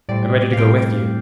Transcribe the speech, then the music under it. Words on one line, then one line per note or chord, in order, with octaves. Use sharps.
"I'm ready to go with you."
A2 G3 C4 D5
F5
A2 G3 C4 G5